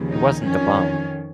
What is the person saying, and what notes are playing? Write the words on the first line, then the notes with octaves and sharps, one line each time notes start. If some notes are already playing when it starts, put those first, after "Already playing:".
He wasn't a bum.
Already playing: D#2 C#3 F3
D#4
F2 D#3 C#4